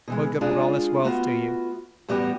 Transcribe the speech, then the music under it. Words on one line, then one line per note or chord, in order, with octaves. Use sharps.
What good would all this wealth do you?
B2 E3 G#3
G#3 D4 F4 G#4
A3 B3 F4 F#4
E2 A2 G3 B3 F#4 G4